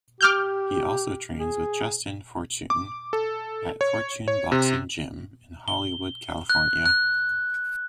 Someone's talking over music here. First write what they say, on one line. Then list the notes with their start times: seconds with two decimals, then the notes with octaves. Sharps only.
He also trains with Justin Fortune at Fortune Boxing Gym in Hollywood California.
0.21 G4 D6 F6 G6
1.40 G#4
2.70 D6
3.13 A4
3.81 C#5
4.28 C#5
4.52 C3
5.68 G7
6.50 F#6
6.86 F#6